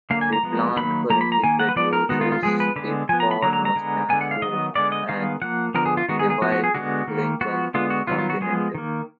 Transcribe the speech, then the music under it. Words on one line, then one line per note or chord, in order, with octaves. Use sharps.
The plant currently produces the Ford Mustang coupe and the revived Lincoln Continental.
D3 F#3 A#3 F5
G#5
A#5
F3 G#3 B3
D#3 F#3 A#3 B5
F3 A#3 A#5
B5
A#5
D#3 A#3 G#5
F#5
B4
F3 B3 D5
A#4
D#3 G#3 B3 F#4
F4
F4
F3 G#3 B3 G#4
B4
D3 G#3 B3 B4
F3 B3 G#5
A#5
B5
D3 F#3 A#3 A#5
A#5
A#5
D3 G#3 B3
D3 G#3 B3 G#5
F#5
F5
D#3 F#3 B3 D#5
D3 G#3 B3 D5
D#5
D#3 G#3 B3 F5
F3 A#3 F#5
D3 F3 B3 A#4
G#4
F4
D#3 G#3 B3 F#4
G#4
G#4
F3 B3 F#4
F#4
G#4
D3 G#3 B3 F#4
D#3 A#3
F3 B3 F#4
D3 G#3 B3 F4
F#4
D#3 F#3 B3 F4
F4
F#4
F3 G#3 B3 G#4
D#3 A#3